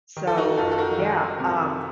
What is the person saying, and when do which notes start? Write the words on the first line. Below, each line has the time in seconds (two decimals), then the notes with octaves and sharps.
So, yeah, um
0.17 D#3
0.27 A4
0.37 D#4 F#4
0.57 F#1 F4 A4
0.71 A4
0.78 F#4 A#4
0.99 D#3
1.40 C3